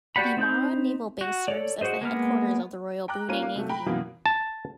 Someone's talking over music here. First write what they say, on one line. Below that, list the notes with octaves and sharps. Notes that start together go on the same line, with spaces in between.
The Muara Naval Base serves as the headquarters of the Royal Brunei Navy.
F#4 G4 D5 F#5 B5
C4 D#4 B5 G6
F#4
A4 C#5 D5
F#4 G#4 C5 D#5
G#3 A#3 B3 F6
G5 A#5 D6 F#6
A#3 C#4 F4 A#5 D#7
A#3
C3 F#3 A3
G5 A#5 B5
F#2 B2 E3 F#3 A#3
A5